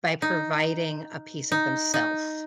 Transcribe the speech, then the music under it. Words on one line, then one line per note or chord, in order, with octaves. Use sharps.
by providing a piece of themself.
D#4
D#4
D#4